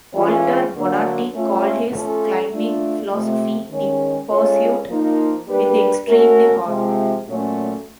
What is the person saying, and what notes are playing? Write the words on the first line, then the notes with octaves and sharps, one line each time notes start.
Walter Bonatti called his climbing philosophy "The pursuit with the extremely hard".
E3 G#3 C#4 F4
D3 F#3 A#3 D4
A3 C#4 F4
F3 A3 C#4 F4 A4
A3 D4 F4
C3 F3 A3
D#3 G#3 C#4
G#3 C#4 F4 A4 C#5
F3 A#3 D#4
G3 A#3 D4 G4 B4
A3 C#4 F#4 A#4
C3 F3 G#3
A#2 F#3 A3 C#4